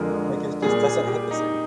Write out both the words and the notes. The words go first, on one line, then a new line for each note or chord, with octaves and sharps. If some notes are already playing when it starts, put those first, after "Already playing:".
Like, it just doesn't hit the same.
Already playing: F2 D3 F3 G#3 A#4
A#2 G3 G#4
G#4
G4
D#4